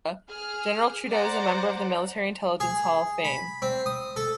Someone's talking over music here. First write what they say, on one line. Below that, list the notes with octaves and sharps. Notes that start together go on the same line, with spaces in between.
General Trudeau is a member of the Military Intelligence Hall of Fame.
G#4 F6
C5 D5 F#5 A#5 D6
G#4
B5
C4
D#6
A4